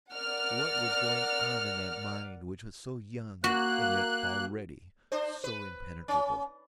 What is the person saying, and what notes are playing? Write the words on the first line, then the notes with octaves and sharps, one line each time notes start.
What was going on in that mind which was so young and yet already so impenetrable?
A#4 D5 F#5 F6
A#3 F#4 F#6
D4 C5
B4
C#4